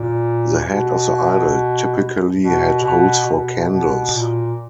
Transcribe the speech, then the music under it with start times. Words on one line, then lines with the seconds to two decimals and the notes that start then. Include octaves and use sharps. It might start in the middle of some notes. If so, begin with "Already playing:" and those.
The head of the idol typically had holes for candles.
Already playing: A#2
0.67 B2
2.40 B2
2.83 B2
3.27 B2
3.69 B2
4.13 A#2